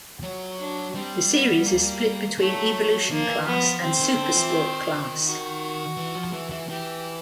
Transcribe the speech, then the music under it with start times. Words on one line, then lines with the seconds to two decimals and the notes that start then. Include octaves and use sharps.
The series is split between Evolution class and Supersport class.
0.23 F#3
0.59 D4
0.95 G3 C4
1.31 B3
1.67 A#3
2.38 F#3 A3
3.10 F3 A#3
3.28 E3
3.46 F3 B3
3.64 F3
3.82 C4
4.00 D#3
4.18 D3
4.36 E3
4.53 D#3
5.26 F#4
5.97 E3
6.15 F3
6.33 E3
6.51 E3
6.69 E3 G4